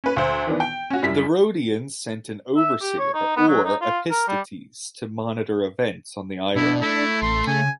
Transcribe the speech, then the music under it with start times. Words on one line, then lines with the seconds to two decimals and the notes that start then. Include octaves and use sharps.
The Rhodians sent an overseer, or "epistates", to monitor events on the island.
0.04 C#4 B4
0.16 D2 C5
0.47 D#3 E3 B3 D4
0.60 G5
0.90 C#4 F#4
1.02 F#2 G3 E4 B6
2.57 E5
2.81 G4
2.99 C#5
3.14 D#4
3.37 B3
3.48 F#3
3.64 D#4
3.81 F4
4.11 A#4
4.28 G3
6.56 B2 D4 E4
6.81 A3 E4
7.22 A1 C6
7.47 C#3 G#5